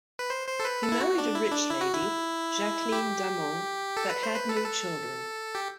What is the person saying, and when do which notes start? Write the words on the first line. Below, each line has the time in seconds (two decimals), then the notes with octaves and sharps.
He married a rich lady, Jacqueline Damant, but had no children.
0.19 B4
0.30 C5
0.48 C5
0.60 A4
0.65 B4
0.83 A4
0.92 E4
1.00 F#4
1.18 D4
1.35 E4
1.52 D4
1.70 E4
1.81 F#4
1.93 E4
2.92 G4
3.97 A4
4.10 B4
4.23 C5
4.36 B4
4.49 A4
4.56 B4
4.64 A4
5.55 G4